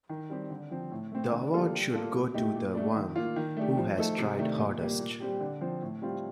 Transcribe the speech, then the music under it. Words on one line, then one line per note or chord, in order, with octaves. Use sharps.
The award should go to the one who has tried hardest.
D#3
G3 C4 G4
D3
F3 C4
A2
A3 C4
D3
G3 A#3 F4 A4
G3
A#3 F4 A4
A#2
A3 D#4 G4
A#2
A3 D4
D#3
A#3 F4
D#3
A3 D4 G4
F3
A3 D#4 A4
C3
D#3 A3 D4
A#2
G3 A#3
A#2
G3 C4 G4
D3
F3 C4
A2
G3 C4 F4